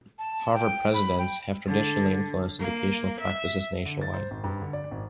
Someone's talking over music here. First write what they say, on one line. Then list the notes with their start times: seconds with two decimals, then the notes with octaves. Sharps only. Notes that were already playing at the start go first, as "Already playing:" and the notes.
Harvard presidents have traditionally influenced educational practices nationwide.
0.19 A5
0.54 G5
0.94 B5
1.19 G5
1.67 D3
2.59 A#3
3.19 E5
3.86 D3
4.01 A6
4.14 C5
4.31 G#1
4.44 G2
4.62 D3
4.73 D5
4.91 G#1